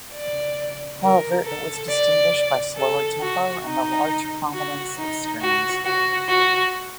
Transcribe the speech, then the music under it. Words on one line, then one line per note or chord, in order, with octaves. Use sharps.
However, it was distinguished by slower tempo, and the large prominence of strings.
D5
A#4
A4
D5
A4
F#4
D#4
F#4
D#4
F#4
F#4
F#4